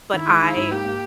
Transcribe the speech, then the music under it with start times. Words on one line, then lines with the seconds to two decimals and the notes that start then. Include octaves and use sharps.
But I,
0.14 D#3 E4
0.27 G#3
0.42 D#4
0.56 G#2
0.71 A#3 G4
0.85 A#3